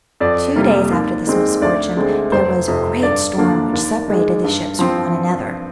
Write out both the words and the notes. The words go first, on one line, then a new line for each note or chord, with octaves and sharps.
Two days after this misfortune, there arose a great storm, which separated the ships from one another.
F2 D5
C3 G3 A#3
D#2
D#3 G#3 C4
D2 D5
D3 G#3 C4
F1 C5
F2 C3
G2 D5
D3 F3 A#3 D4
D#2
D#3 G#3
G2
F3 C4